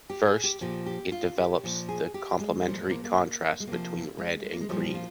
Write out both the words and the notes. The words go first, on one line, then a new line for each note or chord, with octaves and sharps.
First, it develops the complementary contrast between red and green.
G4
G#4
G4
A#2 F3 G4
G4
F4
G4
A#2 F3
G#4
G4
G#3
A#2 F3 G3
G#3
A#3
A#3
G#3
C3 F3 A#3
G#3
G#3
A#3
G#3
A#2 F3 G3
F4